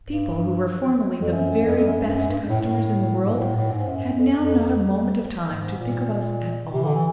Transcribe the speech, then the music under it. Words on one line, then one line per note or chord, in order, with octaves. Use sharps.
People who were formerly, the very best customers in the world, had now not a moment of time to think of us at all.
G2
F2
F#2
F2
F2
F#2
F#2
G2
F#2
G2
A2
A2
G#2
A2
A2
G#2
F#2
F2
F2
G#2
A#2
C3
D3
E3